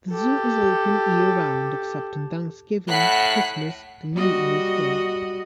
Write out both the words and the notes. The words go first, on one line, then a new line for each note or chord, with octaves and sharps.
The zoo is open year-round except on Thanksgiving, Christmas, and New Year's Day.
G4 A4
A2 F#5 A#5 B5 F#6 B6 C7
G3 F#4 D#5